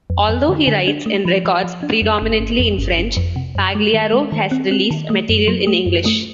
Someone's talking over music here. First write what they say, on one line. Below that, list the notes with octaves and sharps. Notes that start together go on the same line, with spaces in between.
Although he writes and records predominantly in French, Pagliaro has released material in English.
F2
F2
D3
D3
D4
A3
F3
F3
F3
D4
F2
G1
G1
F2
G1
G1
F2
C3
F#2
G#3
D#3
G#3
D#3
C4
C4
D#3
A3
F#2
F#3
A3
F#2
A3